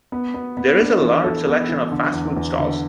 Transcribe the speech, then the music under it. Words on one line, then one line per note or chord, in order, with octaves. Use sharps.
There is a large selection of fast food stalls.
B3
B3
B3
D4
E3
A4
B3
E3
D3
E2
E2
D3